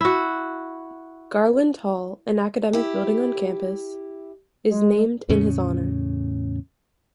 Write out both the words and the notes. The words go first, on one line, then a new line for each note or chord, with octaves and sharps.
Garland Hall, an academic building on campus, is named in his honor.
E4 F#4
E4 G4
G#3
E2 A2 C#3 C#4